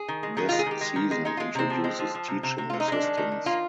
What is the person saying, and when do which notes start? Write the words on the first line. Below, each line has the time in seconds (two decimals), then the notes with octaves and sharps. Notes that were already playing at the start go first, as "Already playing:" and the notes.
This season introduces teaching assistants.
Already playing: G#4
0.08 D#3
0.23 G#3
0.37 D#3 G#4
0.49 G#3 F4
0.59 G#4
0.66 D#3 G4
0.81 G#3
0.96 D#3
1.11 G#3
1.25 G#3 D#4
1.37 G#3 F4
1.55 C3 C4
1.70 F3
1.84 G#3
1.99 F3
2.15 F3
2.28 C3
2.43 C3
2.58 C3
2.70 C3 F4
2.80 D#4
2.88 G#3 D4
3.03 D#3
3.17 D#3
3.32 D#3
3.46 A#3 F4